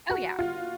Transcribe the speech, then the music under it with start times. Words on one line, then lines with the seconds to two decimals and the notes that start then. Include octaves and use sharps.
Oh, yeah.
0.10 F#4
0.39 F4